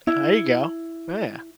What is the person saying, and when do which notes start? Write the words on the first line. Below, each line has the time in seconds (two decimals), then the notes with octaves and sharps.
I you go. Yeah.
0.07 E4